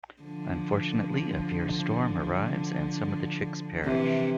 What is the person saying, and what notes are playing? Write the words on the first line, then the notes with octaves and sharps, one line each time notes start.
Unfortunately, a fierce storm arrives and some of the chicks perish.
D3 F3
C3 E3